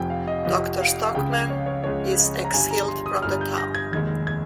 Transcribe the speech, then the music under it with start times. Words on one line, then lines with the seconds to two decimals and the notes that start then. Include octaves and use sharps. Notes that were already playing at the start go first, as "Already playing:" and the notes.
Doctor Stockmann is exiled from the town.
Already playing: F1 F2 C3 F3 G5 G#5
0.10 F5
0.27 D#5
0.45 F1 F2 C3 F3 D#5
0.81 F5
1.14 C#2 C#3 G#3 G5
1.32 F5
1.50 C#5
1.66 C#5
1.84 C#2 C#3 G#3 C#5
2.19 D#5
2.45 A#5
2.53 G1 G2 G3 G#5
2.71 A#5
2.88 C6
3.06 D#6
3.22 G1 G2 G3 F6
3.41 G6
3.58 A#6
3.74 G#6
3.92 F1 D#2 D#3 G#3 G#6
4.27 G#6